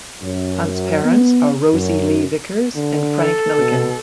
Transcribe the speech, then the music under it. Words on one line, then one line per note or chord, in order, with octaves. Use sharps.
Hunt's parents are Rosie Lee Vickers and Frank Milligan.
F#2
B3
F#2
D3
A4
B2